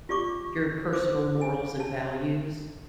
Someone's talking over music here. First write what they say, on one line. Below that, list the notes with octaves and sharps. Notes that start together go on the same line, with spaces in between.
your personal morals and values,
F4 G4 D5 C#6 D6
B4 C5 D6
G#5
A5